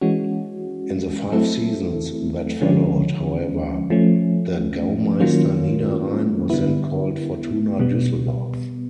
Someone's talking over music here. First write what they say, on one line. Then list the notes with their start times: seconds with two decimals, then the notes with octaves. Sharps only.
In the five seasons that followed, however, the Gaumeister Niederrhein was then called Fortuna Düsseldorf.
0.01 E3 G#3 C#4 F#4
1.32 F#3 A3 C4 E4 A4
2.61 D3 F3 G#3 C#4
3.90 F3 A3 C#4
5.20 D#3 F#3 A#3 C#4 F4
6.50 D3 G3 B3 E4
7.80 B2 G3 B3